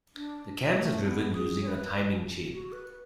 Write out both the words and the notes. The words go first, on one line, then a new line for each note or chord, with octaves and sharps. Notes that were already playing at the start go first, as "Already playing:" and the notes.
The cams are driven using a timing chain.
D4
A3
C#4
B3
G#4
C#5
B4
F#4
B4